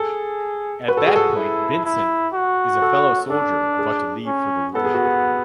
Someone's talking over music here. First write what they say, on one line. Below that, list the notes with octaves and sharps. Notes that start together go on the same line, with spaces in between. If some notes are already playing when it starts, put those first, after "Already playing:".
At that point Vincent is a fellow soldier about to leave for the war.
Already playing: G#4 A4
F#4 B4
A4
G#4
A4
E4
E4
F#4
A4
D4 A4
G#4
C#4
B3 A4
G#4
F#4
G#4